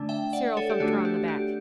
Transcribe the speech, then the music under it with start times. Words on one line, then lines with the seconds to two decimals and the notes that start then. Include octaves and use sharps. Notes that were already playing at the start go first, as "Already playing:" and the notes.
Cyril thumped her on the back.
Already playing: D3 A3 D4
0.09 E5 G5
0.33 D5 F#5
0.57 A4 C#5
0.70 G4
0.80 D3 A3 D4 F#4 A4
1.05 G4
1.28 G4